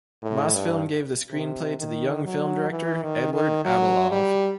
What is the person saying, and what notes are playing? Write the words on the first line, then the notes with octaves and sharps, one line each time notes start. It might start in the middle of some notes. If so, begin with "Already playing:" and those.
Mosfilm gave the screenplay to the young film director Eduard Abalov.
A2
G2
C3
D#3
F#3
E3
D#3
D#3
F#3
G3